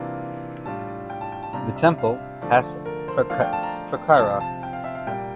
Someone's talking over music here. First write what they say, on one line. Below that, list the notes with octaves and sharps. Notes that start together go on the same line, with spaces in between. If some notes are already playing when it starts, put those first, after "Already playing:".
The temple has prakara.
Already playing: C3 E3 A#3 D4 F4
A2 G3 D4 F4 A5
G5
A5
G5
A5
C3 G3 D4 F4 A#5
E5
F5
D3 F3 A3 D5
A#4
C5
F3 A3 D4 F4 F5
G5
A5
A#5
C3 F3 C4 F4 A5
A5
G5
F5
E5
F5
A#2 G3 A#3 G5